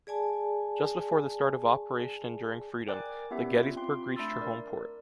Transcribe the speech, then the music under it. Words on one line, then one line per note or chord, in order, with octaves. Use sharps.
Just before the start of Operation Enduring Freedom, the “Gettysburg” reached her home port.
G#4 D5 G#5 A5
A#4 D5 G5 G#5 D6 F#6
B3 C#4 E4 G4 E5
F4
C4 F4 G5 C6
A3 D4 B5 C6 E6 A6
A#4 D5